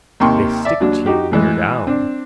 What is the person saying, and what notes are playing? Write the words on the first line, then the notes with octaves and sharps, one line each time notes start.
They stick to you when you're down.
D#2 C3 D#3 G5 C6 C#6
D5 E5
D#2 F#3 D4
D#4 F#4 G4
A2 E3 G#3
C4 D4